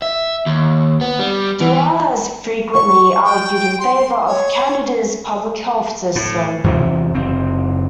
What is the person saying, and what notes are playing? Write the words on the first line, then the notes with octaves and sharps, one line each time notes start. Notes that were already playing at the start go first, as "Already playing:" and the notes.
Doer has frequently argued in favour of Canada's public health system.
E5
D#2
B3
G3
E3
C#6
G5
C6
C#5
A2
E2 C3 E3 F3
F#1 C4